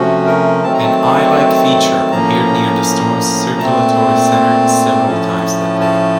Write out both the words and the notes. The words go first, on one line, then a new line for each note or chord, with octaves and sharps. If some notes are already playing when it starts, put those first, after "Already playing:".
An eye-like feature appeared near the storm's circulatory center several times that day.
Already playing: C3 F3 A3 C#4 F#4
A#4
D#3 F#3 A3 C4 A5
A#5
A5
A2 F3 A#3 C#4 A#5
A#2 A3 C4 A5
A2 F3 A3 C#4
A5